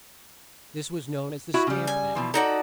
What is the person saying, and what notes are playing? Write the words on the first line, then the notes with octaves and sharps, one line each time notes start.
This was known as the Stamp Act.
E4 F#4 E5
C#3 G3
G#5
B2 E3 F3
D#4 F#4 A4 D5